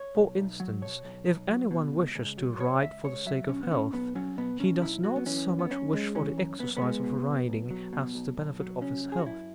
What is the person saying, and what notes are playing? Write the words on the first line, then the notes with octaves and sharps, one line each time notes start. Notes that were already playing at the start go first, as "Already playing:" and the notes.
For instance, if anyone wishes to ride for the sake of health, he does not so much wish for the exercise of riding as the benefit of his health.
Already playing: C#5
B1
B1
F#3
B2 C#5
B1
B1
F#3
B2
C#2
C#2
F#3
B2 C#5
C#2 E5
C#2 C#5
F#3 E5
B2 C#4
B3
B1 C#4
B1 B3
F#3 C#4
B2 B3
B1 C#4
B1 E4
F#3 F#4
B3
E3 C#4
F#2
B3
F#2 C#4
G#3
E3 C#4
F#2
F#2 B3
B3
G#3
B2
B1
B1
F#3
B2
B1
B1
F#3
C#3 C#4
F#2
G#4
F#4
F#2 E4